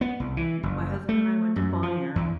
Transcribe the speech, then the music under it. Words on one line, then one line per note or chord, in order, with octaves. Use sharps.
my husband and I went to Bonaire,
B3
C2
E3
F#1
A3
F#2
F3
E2